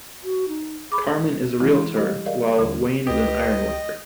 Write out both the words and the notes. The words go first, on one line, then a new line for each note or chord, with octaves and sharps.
Carmen is a realtor while Wayne is an ironworker.
F#4
D#4
G#4 B5 D6
E3 F3 G#3 E4
C6
G3 G4 D#5 B5 D6
G#4 A#4 D5 D#5 F5
D#2 D3 G3 A#4
C#2 G4 B4 D#5 D#6